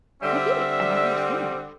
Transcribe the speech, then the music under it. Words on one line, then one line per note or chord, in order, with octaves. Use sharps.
I get it, and I understand.
D3 G3 C4 E5